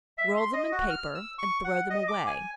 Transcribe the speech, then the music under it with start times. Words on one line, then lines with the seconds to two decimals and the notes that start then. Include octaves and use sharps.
Roll them in paper and throw them away.
0.18 E5
0.37 C6
0.53 D#5
0.72 F#4
0.90 F6
1.15 E6
1.39 C#6
1.64 F#5
1.90 D#5
2.08 D6
2.27 G#5